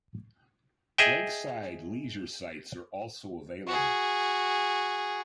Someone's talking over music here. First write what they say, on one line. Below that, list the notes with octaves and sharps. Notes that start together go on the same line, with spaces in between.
Lakeside leisure sites are also available.
G#4 D#5 E5 G5
F#4 G#4